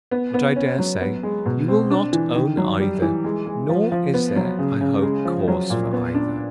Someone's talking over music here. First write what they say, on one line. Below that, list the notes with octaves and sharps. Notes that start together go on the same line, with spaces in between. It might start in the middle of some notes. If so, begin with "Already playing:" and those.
But, I dare say, you will not own either--nor is there, I hope, cause for either.
B3
B3
C#4
F#3
B3
G#3
B2
C4
D4
E3
D#3
F#3
G3
E3
G#3
G#3
F3
F3
B3
F#3
C#3
C#3
G#3
F3
F#3
A#2
B3
D4